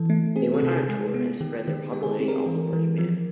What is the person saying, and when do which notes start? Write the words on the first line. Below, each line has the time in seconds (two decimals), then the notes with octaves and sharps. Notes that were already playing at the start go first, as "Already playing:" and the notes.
They went on tour and spread their popularity all over Japan.
Already playing: E3 A4
0.10 A3
0.36 C4 G#4
0.54 A4
0.63 C3
0.71 G#4
0.88 G#3 G#4
1.14 B3
1.41 D#3 G4
1.67 D#3
1.93 G#3 G4
2.03 G#4
2.11 A4
2.20 C4
2.28 A#4
2.46 E3
2.73 E3
2.98 F3